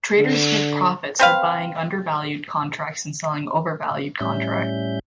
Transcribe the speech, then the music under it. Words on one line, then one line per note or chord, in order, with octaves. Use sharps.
Traders make profits by buying undervalued contracts and selling overvalued contracts.
D3
C4 B4 F5
A2 G3 C#4 E5 G6